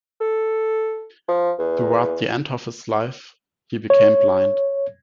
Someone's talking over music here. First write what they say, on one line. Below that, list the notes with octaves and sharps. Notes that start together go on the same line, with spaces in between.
Toward the end of his life he became blind.
A4
F3
E2
C#5